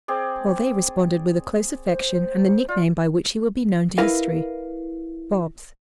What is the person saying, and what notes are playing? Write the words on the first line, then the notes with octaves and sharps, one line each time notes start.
While they responded with a close affection and the nickname by which he will be known to history--"Bobs."
C4 G#4 D5
C5
F4 D5
E4 A#4 B4 F5